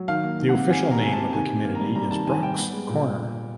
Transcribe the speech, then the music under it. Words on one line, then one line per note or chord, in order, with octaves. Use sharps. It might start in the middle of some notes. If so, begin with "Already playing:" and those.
The official name of the community is Brocks Corner.
Already playing: F#3
D#3 F5
A#3
D#3
F#5
C3
D#3 G#5
A#3
A#5
C3 G#5
A5
C3
D#3 G#5
D#3
A#3
G3 A#5
G3 A#5
D#3 A5
D#3 G#5
G3 G5
B3
G#3
A#2